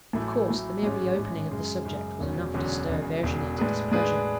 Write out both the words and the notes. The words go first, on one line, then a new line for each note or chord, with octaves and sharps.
Of course, the mere reopening of the subject was enough to stir Virginie to displeasure.
A1 A2 F#3 A3 E4
A1 A2 F#3 A3 E4
A1 G#2 G#3 C#4
A1 G#2 G#3 C#4
F#2 C#3 G#3
F#2 C#3 G#3
E1 E2 D3 F#3 C#4
E1 E2 D3 F#3 C#4
E1 E2 C#3
E1 E2 C#3
A2 G#3 D4 G#4 B4
A2 G#3 D4 G#4 B4